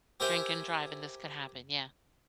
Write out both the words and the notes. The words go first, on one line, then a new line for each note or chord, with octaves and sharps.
drink and drive, and this could happen, yeah.
G4 A#4 C5 E5 G5 G#5